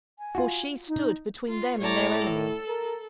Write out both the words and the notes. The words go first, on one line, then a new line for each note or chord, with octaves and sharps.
For she stood between them and their enemy.
G#5
F4 F#4
D#4
F4
A2 C#5 D5 A#5
A4
A#4